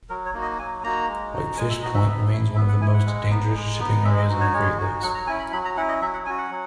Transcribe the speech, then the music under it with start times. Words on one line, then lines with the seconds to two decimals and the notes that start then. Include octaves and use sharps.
Whitefish Point remains one of the most dangerous shipping areas in the Great Lakes.
0.10 F#3 A#4
0.26 C#5
0.34 A#3 D#4 F#4
0.42 D#5
0.59 F#3 G#5
0.84 A#3 D#4 F#4 A#5
1.08 G#3
1.33 D#4 F#4
1.57 G#3 G#5
1.70 E5
1.83 D#4 F#4 D#5
1.94 E5
2.07 B3
2.32 E4
2.56 B3 E5
2.68 F#5
2.81 E4 G#5
2.94 F#5
3.06 G#3
3.30 B3 D#4
3.55 G#3
3.80 B3 D#4
4.04 G#3 E5
4.16 D#5
4.29 D#4 F#4
4.41 C#5
4.53 G#3 C#5
4.78 D#4 F#4
5.03 F#3 F#5
5.15 A#5
5.27 C#4 E4 G#5
5.39 B5
5.52 F#3 B5
5.65 A#5
5.77 C#4 E4 F#5
5.89 D#5
6.01 F#3 E5
6.14 F#5
6.26 C#4 F#4 G#5
6.38 F#5
6.51 F#3